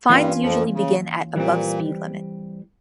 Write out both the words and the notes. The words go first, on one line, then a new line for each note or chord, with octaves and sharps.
Fines usually begin at above speed limit.
G2 E3 G3 A#3 C#4 F4
F2 F3
C#3
A#2 E3 G3 C4